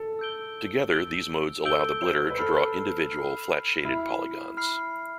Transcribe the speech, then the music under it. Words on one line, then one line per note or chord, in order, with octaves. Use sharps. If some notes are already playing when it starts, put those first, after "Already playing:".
Together, these modes allow the blitter to draw individual flat-shaded polygons.
Already playing: A4
E6 G6 D7 G7
E6 G6 D7 G7
A4 E6 G6 D7 G7
C5
B4
A4 B5 F6 C7
B5 F6 C7
E4 B5 F6 C7
B5 F6 C7